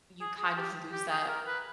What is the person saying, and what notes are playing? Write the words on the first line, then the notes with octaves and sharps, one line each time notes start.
you kind of lose that
G#4
G#4
G4
G4
G#4
A#4
B4